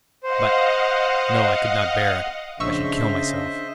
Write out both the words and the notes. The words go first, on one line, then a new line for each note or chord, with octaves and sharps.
But ... no, I could not bear it, I should kill myself.
C5 D#5 F5 F#5
A#1 C#3 D4 C5 D#5 E5 C#6 E6